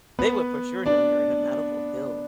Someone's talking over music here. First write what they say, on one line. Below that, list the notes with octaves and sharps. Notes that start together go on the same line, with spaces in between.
They would, for sure, know you're in a medical field.
B3 B4
D4 D5